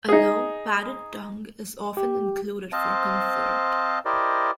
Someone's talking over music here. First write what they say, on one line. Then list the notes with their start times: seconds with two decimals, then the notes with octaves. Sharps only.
A low, padded tongue is often included for comfort.
0.09 D#4 G#4
1.97 G4
2.72 C4 C5 D#5 F5 A5
4.05 E4 G4 A#4 C5 D5 D#5